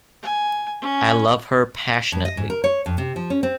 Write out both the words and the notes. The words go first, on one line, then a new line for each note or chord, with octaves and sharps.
I love her passionately.
G#5
C#4
F2
D#5
G#2
A#4
C#5
F2
C3
F3
C#4
C4